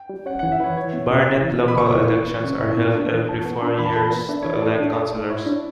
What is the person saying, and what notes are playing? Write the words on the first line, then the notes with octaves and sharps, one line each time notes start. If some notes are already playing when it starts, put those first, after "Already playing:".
Barnet local elections are held every four years to elect councillors.
Already playing: G5
G3
C#4 F#5
E3 F#5
E5
E3 B4 C#5
E3 C#5
B3
C#3
E4
E3
B3
B5
C#3 C#6
E4
E3
B3
C#3
E4
B3
D4
E3
A4
B3
D4
E3 B5
A5
A4 B5
B3
D4 E5
E3 C#5
D5
A4
D4
A4
A3
E4 C#5
D4